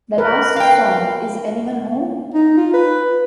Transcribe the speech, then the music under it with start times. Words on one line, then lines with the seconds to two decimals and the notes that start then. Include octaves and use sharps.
The last song, Is Anyone Home?
0.18 A#4 B4
0.56 F5 G5
2.34 D#4
2.57 F4
2.74 B4